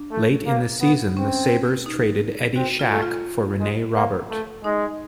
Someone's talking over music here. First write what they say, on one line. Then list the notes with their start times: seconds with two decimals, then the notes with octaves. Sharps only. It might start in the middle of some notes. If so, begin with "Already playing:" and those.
Late in the season the Sabres traded Eddie Shack for Rene Robert.
Already playing: D4
0.12 A3
0.47 A#3
0.81 B3
1.17 C4 C#4
1.86 D#4
2.56 C4 F#4
2.79 F4
2.91 A3
3.02 F4
3.60 G#3
3.94 A#3
4.30 A3
4.64 G#3 D#4